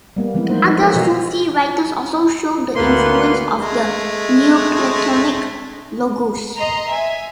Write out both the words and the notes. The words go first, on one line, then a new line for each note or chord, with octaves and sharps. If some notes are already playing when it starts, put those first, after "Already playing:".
Other Sufi writers also show the influence of the Neoplatonic Logos.
G3 A#3 B3
E3 F3 G#3 B3 C4 E4
A#3 D#4 C5
F3 D#4 B4
F4 F#4 A4 A#4 C#5 E5
B2 E3 F#4 D#5 F5
D2 A#3 B3 B4 C6
G#3 A3
D#5 A#5 C6
E5 G#5